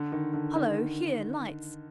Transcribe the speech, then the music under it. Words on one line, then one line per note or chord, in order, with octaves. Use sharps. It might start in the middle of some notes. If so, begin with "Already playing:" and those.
Hollo, here, lights!
Already playing: D3
D#3
D3
D#3